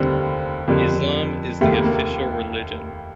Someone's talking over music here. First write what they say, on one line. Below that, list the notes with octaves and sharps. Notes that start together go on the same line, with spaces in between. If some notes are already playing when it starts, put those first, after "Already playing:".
Islam is the official religion.
Already playing: F1 D#2 D3 G3 C4
F2 D3 G3 A#3
F1 D#2 D#3 G3 A3
A#3
A#3